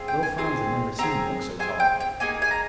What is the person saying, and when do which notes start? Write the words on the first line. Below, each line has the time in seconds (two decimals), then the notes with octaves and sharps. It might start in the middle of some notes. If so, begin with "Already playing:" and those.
Little Franz had never seen him look so tall.
Already playing: C4 F4 G#4
0.08 G5
0.23 G#5
0.38 C4 F4 G#4 G#5
0.99 C4 F4 G#4 A#5
1.59 C4 F4 G#4 G#5
1.80 G5
2.00 G5
2.20 A#3 D#4 G#4 G#5
2.42 G#5
2.51 A#5